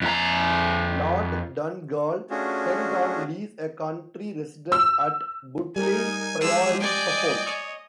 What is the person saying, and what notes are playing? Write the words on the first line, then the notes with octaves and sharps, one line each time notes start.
Lord Donegall held on lease a country residence at Butley Priory, Suffolk.
F2 A#5
A3 C#4 D4 F4 F#4 G#4
E6
G3 D#4 A#4 G#5
F3 G#3 G4 G#4 E6
D5 D#5 G5 G#5
C#5